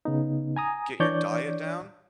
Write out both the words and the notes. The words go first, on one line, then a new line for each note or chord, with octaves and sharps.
get your diet down
C#3 B3 D#4
G#5 A#5 D#6
E3 D4 C#5 D5 G6